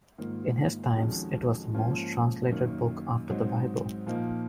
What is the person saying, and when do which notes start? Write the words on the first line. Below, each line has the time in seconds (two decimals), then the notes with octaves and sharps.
In his times, it was the most translated book after the Bible.
0.18 G#2 D#3 A#3 F4
0.96 F2 D#3 G#3 C#4 F#4
1.74 G#2 F3 A#3 C#4 F4
2.51 F#2 D#3 A#3
3.29 G#2 F#3 C4 D#4
4.06 A#2 F3 A#3 D#4